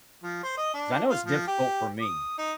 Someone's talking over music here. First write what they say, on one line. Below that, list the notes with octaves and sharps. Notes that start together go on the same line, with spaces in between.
'Cause I know it's difficult for me.
F3
C5
D#5
D4
F4
F3
G4
D#6
D#4